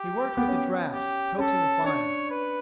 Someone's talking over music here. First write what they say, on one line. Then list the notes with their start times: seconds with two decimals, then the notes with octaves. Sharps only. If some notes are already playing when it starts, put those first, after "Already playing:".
He worked with the drafts, coaxing the fire.
Already playing: G4
0.37 B3
0.49 C#4
0.93 G4
1.38 C#4 A4
1.84 D4 C#5
2.30 B4